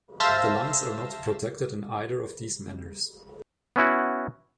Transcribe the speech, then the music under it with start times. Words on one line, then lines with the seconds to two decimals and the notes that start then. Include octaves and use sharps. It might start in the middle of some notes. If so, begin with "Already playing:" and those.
The lungs are not protected in either of these manners.
0.20 C5 E5 F5 A5 E6 A#6
3.76 B3 C#4 E4 F#4